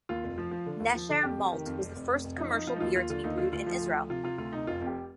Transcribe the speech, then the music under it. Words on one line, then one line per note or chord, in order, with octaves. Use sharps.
Nesher Malt was the first commercial beer to be brewed in Israel.
D#2 F4
F1
F3
F3
D3
D#2
F3
D3
F2 G4
F1
D#3
F2
F1
F1
F1
F1
F3 D#4
F3 D#4
F3 F4
D#4
D#2 F4
D#2 F4
D3 F4
D#2 D#4
D3 F4
D2 F4
F3 F4
D2
F3
C3 F4
C3 F4
D2 F4
C3 D#4
F1 F4
F2
G4